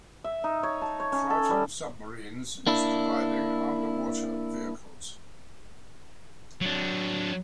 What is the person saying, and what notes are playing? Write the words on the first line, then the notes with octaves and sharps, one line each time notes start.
Triton Submarines is providing underwater vehicles.
E5
D#4
C#5
A5
C#5
C#4
A4
G3
A#3 D4 E4
F#3 D4